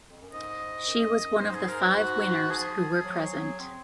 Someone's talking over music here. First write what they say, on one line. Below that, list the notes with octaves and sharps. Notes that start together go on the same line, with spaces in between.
She was one of the five winners who were present.
F2
F#2
G#2 D#5
F#2
G#2 C5
G#4
A#4
F#4
F3 G#4
F#3
C4